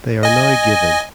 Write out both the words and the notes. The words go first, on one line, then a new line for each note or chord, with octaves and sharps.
They are now given.
D#5 G#5